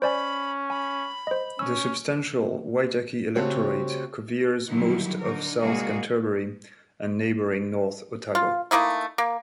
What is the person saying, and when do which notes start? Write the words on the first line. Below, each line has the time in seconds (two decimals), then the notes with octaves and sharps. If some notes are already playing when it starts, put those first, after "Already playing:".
The substantial Waitaki electorate coveres most of South Canterbury and neighbouring North Otago.
0.02 C#4 C5 D5 G#5 B5
0.70 G#5 B5
1.27 C5 D#5
1.59 C#4 E6
3.36 C#3 A3 C4 F#4 G4 C#5
4.68 D3 D#3 F#3 G3 E4
5.20 D3 D#4 A#4
5.59 C3 G3 G#3 A#3 F#4 G#4
8.35 F4
8.71 A3 A#3 D#4 E4
9.18 A#3